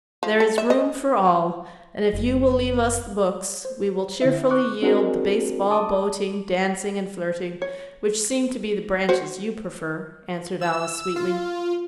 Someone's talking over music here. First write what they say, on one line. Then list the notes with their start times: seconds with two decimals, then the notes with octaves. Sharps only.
'There is room for all; and if you will leave us the books, we will cheerfully yield the baseball, boating, dancing, and flirting, which seem to be the branches you prefer,' answered Alice sweetly.
0.23 F3
0.40 A4
0.58 E5
0.70 D#5
2.13 F#1
3.65 C5
4.22 D3 E4 E5
4.50 C#6 D6 F#6
4.82 C4 D4 F#4 G#4 A#4 C5
5.71 A5 D6 D#6
7.62 C#5
9.09 F#4 C5
10.61 E6
11.16 F4